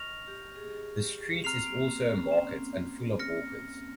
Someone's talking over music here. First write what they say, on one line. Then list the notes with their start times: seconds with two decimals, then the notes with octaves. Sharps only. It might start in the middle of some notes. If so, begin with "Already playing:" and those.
The street is also a market and full of hawkers.
Already playing: D#5 C#6 F6 A#6 F7
0.28 G4
0.56 G#4
1.00 G4
1.44 C4 A#5 F6 C7 F7
1.66 A#3
1.88 C4
2.09 C#4
2.32 C4
3.19 F6 A#6 C#7